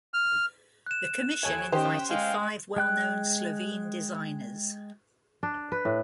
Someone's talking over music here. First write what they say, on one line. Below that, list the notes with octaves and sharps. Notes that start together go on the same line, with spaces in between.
The commission invited five well-known Slovene designers.
F6
F#6 E7
D#2 A4 C#5 G#5
D#3 C#4 G4 C5 G5
G#3 F5 G5
G#3 G5 F#6
D4
B4
A2